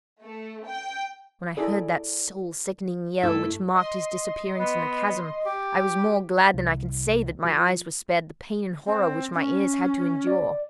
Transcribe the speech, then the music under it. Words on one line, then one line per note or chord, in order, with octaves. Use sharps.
When I heard that soul-sickening yell, which marked his disappearance in the chasm, I was more glad than I can say that my eyes were spared the pain and horror which my ears had to endure.
A3
G5
E4 G#4 A4 D5
G2 A3 E4 A4
D#5 C6
B3
G4
C2
F3
C4
C#4
D5